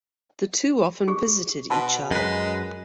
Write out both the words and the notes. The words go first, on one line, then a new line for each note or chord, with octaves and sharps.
The two often visited each other.
G4 G#4 C#6
B2 F#4 A5 B5
F#2 G#3 B4